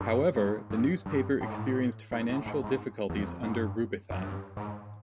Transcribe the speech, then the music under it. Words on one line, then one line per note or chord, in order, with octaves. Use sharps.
However, the newspaper experienced financial difficulties under Rubython.
G2
G#2
G2
G2
A2
G#2
A2
G#2
A2
G#2
G#2
E2
F2
G#2
G2
F#2
G2
G#2